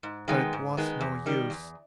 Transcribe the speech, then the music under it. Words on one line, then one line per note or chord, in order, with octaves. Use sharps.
But it was no use.
G#2
D#3 G#3 B3
G#2
D#3 G#3 B3
E2
D#3 G3
E2